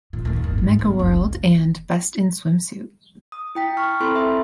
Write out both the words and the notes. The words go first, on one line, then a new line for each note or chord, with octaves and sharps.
Megaworld and Best in Swimsuit.
A#2
D#2 A#3
G1
G#2
B3
F1 C2
D#6
E4 G5 B6
G5 C#6 F6
C4 E4 A4 B5 C6
E5 C6